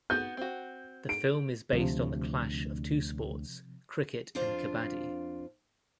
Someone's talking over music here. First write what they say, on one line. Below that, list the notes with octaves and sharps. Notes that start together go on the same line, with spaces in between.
The film is based on the clash of two sports cricket and kabaddi.
B3 F#4 G6
C4 F#4
D7
D2 C3 F3
F2 D4 F4 C5 F5